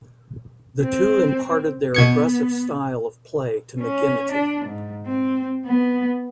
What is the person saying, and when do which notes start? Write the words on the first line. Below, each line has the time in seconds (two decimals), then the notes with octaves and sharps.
The two imparted their aggressive style of play to McGinnity.
0.82 C4
1.95 B2 B3 G#6 C#7
3.81 C#4
4.32 D4
4.65 G#2
5.06 C4
5.66 B3